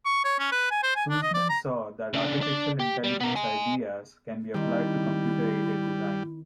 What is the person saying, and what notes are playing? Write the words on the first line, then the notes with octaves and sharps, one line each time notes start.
Sussman saw that artificial intelligence ideas can be applied to computer-aided design.
C#6
C#5
C#4
B4
G#5
C5
G#5
D4
D#5
D5
A#5
C#3 D4
D4 D5
G4
G3
B3 A#4
D#5 G#5
D#3 G3 C4 E4